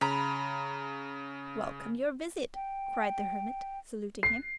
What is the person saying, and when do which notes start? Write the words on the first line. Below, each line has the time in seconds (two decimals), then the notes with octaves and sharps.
"Welcome your visit!" cried the hermit, saluting him.
0.01 C#3 A#5 B5
2.55 G5
4.23 C7